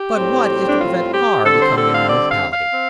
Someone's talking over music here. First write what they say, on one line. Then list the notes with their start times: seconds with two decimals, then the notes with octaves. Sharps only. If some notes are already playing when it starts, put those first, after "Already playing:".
"But what is to prevent our becoming a municipality?"
Already playing: G4
0.15 A2 G3 C4
0.67 D4
0.80 F4
1.13 G4
1.45 D3 G3 C4 A4
1.61 C5
1.77 A4
1.93 F5
2.09 D5
2.31 F5
2.53 F5
2.74 C4